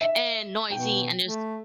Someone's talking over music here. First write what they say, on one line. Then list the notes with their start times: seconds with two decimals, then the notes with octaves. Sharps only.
and noisy, and there's
0.01 E5
0.70 B2 G5
1.25 A3